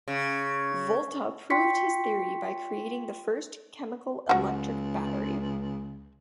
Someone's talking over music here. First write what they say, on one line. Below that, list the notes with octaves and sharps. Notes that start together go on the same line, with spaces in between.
Volta proved his theory by creating the first chemical electric battery.
C#3
F4 G5 C6 C#6 B6 C#7
C#2 F#3 F#4